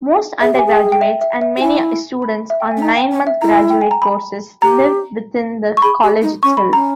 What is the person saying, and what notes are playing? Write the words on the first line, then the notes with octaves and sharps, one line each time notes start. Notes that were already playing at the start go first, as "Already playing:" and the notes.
Most undergraduates and many students on nine-month graduate courses live within the College itself.
G#4 E5
G4
G#5
G#4
G5
G5
E5
E5
E5
G4
E4 G#5
B5
E5
G5
G#5
C#4
D#4 A#5
G5
C#4
E5
E4 A#5
G5
G#5
A#5
B5
G4 A#5
C#6
G#4 B5
G4
D#4
C#4 C#6
B5
C#4 A#5